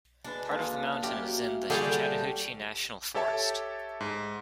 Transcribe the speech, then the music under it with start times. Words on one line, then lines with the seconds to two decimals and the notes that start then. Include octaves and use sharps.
Part of the mountain is in the Chattahoochee National Forest.
0.24 G#3 D4 B4
0.50 D3 G#3 A#3
1.03 C#4 E4 F#4 G4
1.70 D3 G3 D4 G4 G#4 C#5
3.14 G4 A4 C#5 E5 A5
4.01 G#2